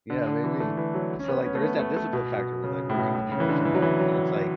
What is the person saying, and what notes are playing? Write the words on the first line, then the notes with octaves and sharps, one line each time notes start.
Yeah, maybe. So, like, there is that discipline factor with, like, working, you know, from home, and it's, like
D3
D3
E3
A3
E3
F#3
C#4
B3
C#4
A3
B3
A3
A3
B2
B2
C#3
A2
B2
A2
C#3
E3
D3
E3
F#3
E3
F#3